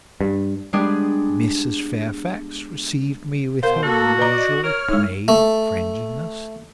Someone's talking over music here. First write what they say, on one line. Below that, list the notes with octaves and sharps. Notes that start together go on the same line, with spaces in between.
Mrs. Fairfax received me with her usual plain friendliness.
G2
G3 G#3 B3 D4 G4 G#4
B2 A#4 C5 F5
A#3 F#4 A4
B4 D5 D#5 A#5
A#4 C#5 F6
A2 G#3 D#4
A3